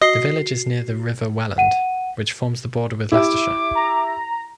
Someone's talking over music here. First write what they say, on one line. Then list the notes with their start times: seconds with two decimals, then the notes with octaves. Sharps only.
The village is near the River Welland, which forms the border with Leicestershire.
0.01 F#4 D#5 C7 G7
1.58 F#5 D#7
3.12 E4 G4 E5 D6
3.75 A#5